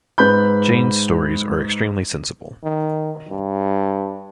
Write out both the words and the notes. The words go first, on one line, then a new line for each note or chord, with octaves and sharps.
Jane’s stories are extremely sensible.
G#2 B4 B5 G6
D#3
G2